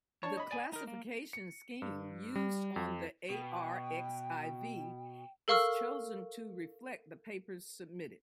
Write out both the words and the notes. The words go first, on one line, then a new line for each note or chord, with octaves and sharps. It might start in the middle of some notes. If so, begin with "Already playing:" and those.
The classification scheme used on the arXiv is chosen to reflect the papers submitted.
D4 C#5 A5 C#6
D#5 B5
D5 G#5
D#4 A#4
A#3
C#7
G2
G3
F2
B2 G5
A4 A#4 F5 C#6 E6 F6